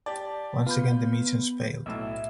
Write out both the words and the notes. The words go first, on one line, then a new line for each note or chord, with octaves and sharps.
Once again the missions failed.
G4 D5 A5
B3 F4 B5 G6
B1 A2 E5